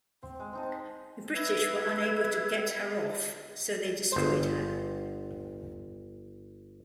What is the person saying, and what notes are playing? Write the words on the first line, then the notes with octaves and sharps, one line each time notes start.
The British were unable to get her off so they destroyed her.
C4
G#3
C4 D#4 A5
B4 E5 E6 G#6
G1 C5